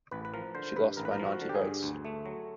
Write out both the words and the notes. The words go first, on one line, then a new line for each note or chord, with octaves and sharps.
She lost by ninety votes.
A1 B4
B4
F3 A#4
D3 C5
G2 B4
A1 A#4
B4
A#4
F3
F#4
D3
G4
G#4
G2
D2
A3
F#3